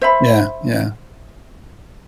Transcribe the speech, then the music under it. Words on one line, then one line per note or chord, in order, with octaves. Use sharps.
Yeah, yeah.
C5 E5 B5